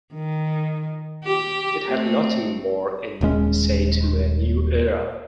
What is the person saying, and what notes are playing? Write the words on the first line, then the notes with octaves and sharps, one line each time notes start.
It had nothing more in say to a new era.
D#3
G4
A3 C4
D#1 G2 G#3 C#4